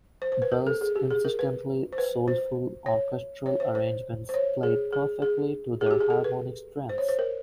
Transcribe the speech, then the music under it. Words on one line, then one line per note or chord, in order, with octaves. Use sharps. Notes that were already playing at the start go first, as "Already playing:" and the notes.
Bell's insistently soulful orchestral arrangements played perfectly to their harmonic strengths.
C5
C5
B4
A#4
A4
G#4
G4
G#4
A#4
B4
C5
B4
C5
C#5
C#5
C5
C5
C5
C#5
G#4
G#4
G#4
G#4
F#4
G4
G#4
A4
B4
C5
C#5
C5
A#4